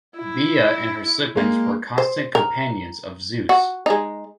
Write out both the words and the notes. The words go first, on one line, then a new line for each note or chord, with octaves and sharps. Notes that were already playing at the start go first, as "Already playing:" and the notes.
Bia and her siblings were constant companions of Zeus.
E4
G#3 A#3
C5
A#4
F#4
G#3 D#4